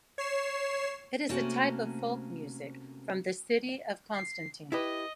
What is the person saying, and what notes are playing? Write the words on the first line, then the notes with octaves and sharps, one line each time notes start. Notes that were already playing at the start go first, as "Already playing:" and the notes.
It is a type of folk music from the city of Constantine.
C#5 C7 E7
C3 A3 A#3 C#4 F#4 C5
C7
E4 G4 B4 D#5